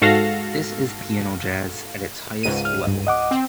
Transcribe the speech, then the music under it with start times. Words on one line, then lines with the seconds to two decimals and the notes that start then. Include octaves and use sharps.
This is piano jazz at its highest level.
0.02 G#2 F#4 A4 F5 A#6
2.43 C#2 G#2 D#7
2.65 F6
2.87 G2
3.07 D#5 F#5 D6
3.31 C4